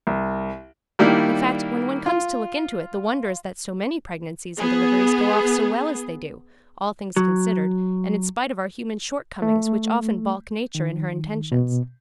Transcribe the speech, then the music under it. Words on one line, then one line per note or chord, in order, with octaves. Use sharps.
In fact when one comes to look into it the wonder is that so many pregnancies and deliveries go off so well as they do, all things considered and in spite of our human shortcomings which often baulk nature in her intentions.
C2
D#3 G3 A#3 D4 E4
F4
B3 G#4
F#3
A3
D#3
B2